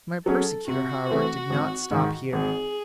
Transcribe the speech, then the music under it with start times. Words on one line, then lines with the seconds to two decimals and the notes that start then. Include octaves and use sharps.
My persecutor, however, did not stop here.
0.26 F#3 C#4 G#4 A4
0.68 C3 F#4
1.09 E3 A3 C4
1.50 G#1
1.91 G#2 D#3
2.33 G#1 G#4